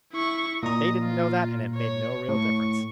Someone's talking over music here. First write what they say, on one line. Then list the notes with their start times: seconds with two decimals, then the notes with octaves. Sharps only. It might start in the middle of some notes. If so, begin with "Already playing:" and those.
But they didn't know that, and it made no real difference.
0.13 E4 C#6
0.63 A#2 D#5 A#5
1.01 F4
1.75 C#5
2.28 A2 C#6